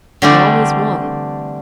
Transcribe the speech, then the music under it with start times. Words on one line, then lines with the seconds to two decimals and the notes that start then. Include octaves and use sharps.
"He always won."
0.22 D3 E3 G3 A3 C4 D4